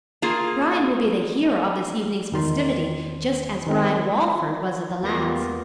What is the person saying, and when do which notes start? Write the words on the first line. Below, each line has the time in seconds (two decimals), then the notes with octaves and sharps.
'Brian will be the hero of this evening's festivity, just as Brian Walford was of the last.
0.22 A#3 F4 G#4
2.32 E2 D#3 C6
3.66 D#3 G#3 C4
5.03 E2 G3 A#3 B3 F4 A#6